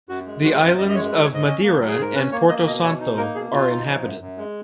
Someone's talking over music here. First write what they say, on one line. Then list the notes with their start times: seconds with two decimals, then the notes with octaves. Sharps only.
The islands of Madeira and Porto Santo are inhabited.
0.09 F#2 F#4
0.27 G#3
0.43 F3 F#4
0.55 D#4
0.61 F#2
0.67 F4
0.78 F#2 D#5
0.89 D#5
0.95 G#3 C#5
1.12 F#3 B4
1.24 C#5
1.30 G#2 D#5
1.46 C#4
1.63 A#3
1.80 F#3
1.88 G#4
1.98 G#2 A#4
2.15 C#4 B4
2.32 A#3 C#5
2.49 A#3 D#5
2.66 B2 D#5
2.83 B2 C#5
3.00 D#4
3.17 A#3 A#4
3.35 B2 G#4
3.52 B2 F4
3.70 D#4
3.86 F3
4.03 F#2
4.21 F#2
4.38 G#3